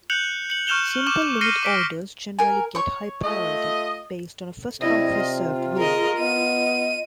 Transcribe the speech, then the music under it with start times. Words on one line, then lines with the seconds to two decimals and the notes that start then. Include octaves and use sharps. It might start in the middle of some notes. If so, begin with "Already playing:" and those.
Simple limit orders generally get high priority, based on a first-come-first-served rule.
0.10 F#6 G6 C#7 F7 F#7
0.50 C#7 F#7
0.67 C#6 F6 G6 E7 F7 G7
1.06 C#6 D6 G6 E7 F#7
1.41 F6 A#6 C7 C#7 D#7 G7
1.63 D6 B6 D7
2.39 A#4 G#5
2.75 C#5 C#6
3.24 A3 F4 D#5
4.81 C3 E4 D5 D#5
5.15 F4
5.77 G#4 A#4 D#5
6.20 B3 D#5 D#7